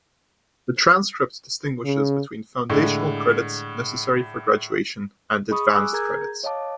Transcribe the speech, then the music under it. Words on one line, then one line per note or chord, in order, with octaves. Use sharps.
The transcript distinguishes between "foundational credits" necessary for graduation and "advanced credits".
C#3
A2 D3 G#3
G#4 D#5 B5 C#6 D#6
G#5 D6 E6 F#6
G#4 A#4 A#5 G6 G#6
C#5 D#5 F5 A5 D6